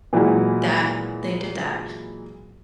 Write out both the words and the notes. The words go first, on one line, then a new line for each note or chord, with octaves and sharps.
that they did that,
A#2 E3 F#3 G#3 F#4